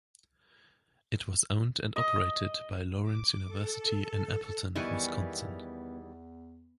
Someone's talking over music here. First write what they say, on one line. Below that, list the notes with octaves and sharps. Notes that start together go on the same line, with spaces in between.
It was owned and operated by Lawrence University in Appleton, Wisconsin.
D#5
D6
A4
E2 D#3 E3 G3 B3 E4 G#5 C#6